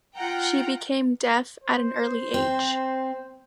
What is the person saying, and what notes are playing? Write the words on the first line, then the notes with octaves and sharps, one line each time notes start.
She became deaf at an early age.
F4 F#5 G5 A#5
C5
C4